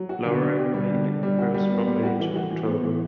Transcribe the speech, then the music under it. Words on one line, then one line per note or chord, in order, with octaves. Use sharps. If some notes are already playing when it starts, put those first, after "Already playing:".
Flowering mainly occurs from May to October.
Already playing: F#3
F#4
D3
D4
G4
G3
D3
D4
G3
F#4
G3
B3
G3
F#4
E3
F#4
E3
B3
E3